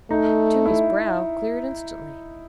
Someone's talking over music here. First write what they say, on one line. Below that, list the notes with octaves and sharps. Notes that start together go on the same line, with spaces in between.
Toomey's brow cleared instantly.
A3 D#4
E4